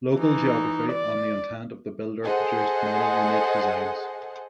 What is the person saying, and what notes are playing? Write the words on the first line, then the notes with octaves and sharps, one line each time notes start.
Local geography and the intent of the builder produced many unique designs.
E3 D#4
D5
G#4 A4 C5 D#5 F#5